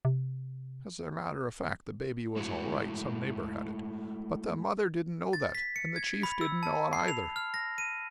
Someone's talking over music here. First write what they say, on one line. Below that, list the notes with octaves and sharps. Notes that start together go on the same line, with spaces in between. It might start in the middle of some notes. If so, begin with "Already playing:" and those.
As a matter of fact, the baby was all right--some neighbors had it--but the mother didn't know that, and the chief didn't know it, either.
C3
G#3 A3 E4 F#4
A6
B6
C#7
G#6
B5
E6
A5
C7
F7
F6
A#6
D#7